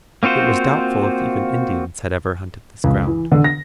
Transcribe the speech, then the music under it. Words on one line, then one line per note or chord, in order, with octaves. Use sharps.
It was doubtful if even Indians had ever hunted this ground.
A#3 C4 F4 F#4 C5
C#2
E3
D3
A#6